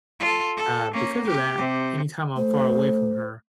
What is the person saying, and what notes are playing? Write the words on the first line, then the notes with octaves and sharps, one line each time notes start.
uh, because of that, any time I'm far away from her,
F4 A4
A4
A#3 C#4
G4
C3
A3 C5